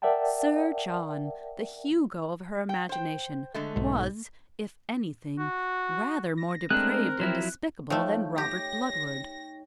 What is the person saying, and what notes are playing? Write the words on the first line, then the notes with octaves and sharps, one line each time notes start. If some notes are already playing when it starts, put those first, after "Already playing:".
Sir John, the Hugo of her imagination, was, if anything, rather more depraved and despicable than Robert Bludward.
A#4 D5 E5 F#5 G5 A5
G5
C5 G5
D3 G#3 A3
B1 G#2
F#4
A#6
G#3 A3 C4 D4 A#4 F#6
F3 F#3 E4
F3 A3 D#4 C#5 G5
G4 A#6